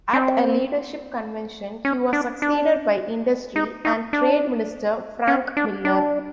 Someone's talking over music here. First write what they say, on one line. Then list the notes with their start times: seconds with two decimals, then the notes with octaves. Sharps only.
At a leadership convention, he was succeeded by Industry and Trade Minister Frank Miller.
0.13 C4
1.85 C#4
2.13 D4
2.42 D4
3.56 D#4
3.85 D#4
4.13 D4
5.28 C#4
5.57 D4
5.85 D4